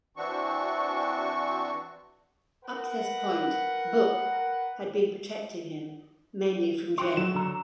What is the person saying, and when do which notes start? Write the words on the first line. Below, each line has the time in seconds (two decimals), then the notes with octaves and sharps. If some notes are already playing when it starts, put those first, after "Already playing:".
Up to this point, Book had been protecting him, mainly from Jayne.
0.17 E3 C4 D4 F#4 C#6
2.65 A#4 B4 F#5
6.98 F#4 G5 C6
7.17 F#3 E7
7.35 D3 A#5